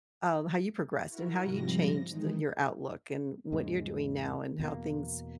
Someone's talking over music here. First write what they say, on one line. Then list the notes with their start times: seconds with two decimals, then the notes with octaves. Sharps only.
um, how you progressed and how you changed the your outlook and what you're doing now and how things,
1.07 E4 F#4 A#4
1.42 G#2 C3 F3 G3 A#6
2.06 D#3 E3 G#3 D#4
3.52 E2 G#2 C#3 G#3
4.59 E2 B2 A#3